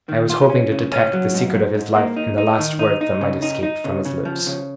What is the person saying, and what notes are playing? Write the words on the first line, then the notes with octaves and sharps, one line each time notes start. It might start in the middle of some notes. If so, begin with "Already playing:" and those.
I was hoping to detect the secret of his life in the last words that might escape from his lips!
D#3
F4
C#4
C#3
C#4
F#3
G#2
G#2
G#2
A#3
D#4
D#4
D#3
D#4
D#4
C#3
D#4
D#4
C#3
C#3
F3
C#3